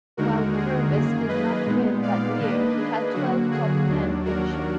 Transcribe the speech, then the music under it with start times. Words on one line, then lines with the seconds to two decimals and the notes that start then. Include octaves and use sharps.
While Purvis did not win that year, he had twelve top-ten finishes.
0.17 D#2 D3 G#3 D#4 F#4 A#4
0.55 G#4
0.91 F#2 D#3 A#3 G#4
1.28 B4 D#5
1.66 A#2 G#3 B3 D#4
2.02 D5 F5
2.40 D#3 A#3 D4 B4 D#5
2.77 G#4
3.14 D3 F#3 A#3 F#4
3.51 G#4
3.88 D#2 D#3 F#3 D4
4.25 F#4 A#4